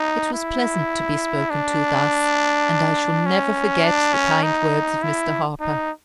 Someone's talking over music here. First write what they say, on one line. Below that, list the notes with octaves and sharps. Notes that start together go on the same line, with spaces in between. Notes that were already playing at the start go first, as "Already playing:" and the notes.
It was pleasant to be spoken to thus, and I shall never forget the kind words of Mr. Harper.
Already playing: D#4
E4
D4
C#4
D4
C#4
D#4
E4
D#4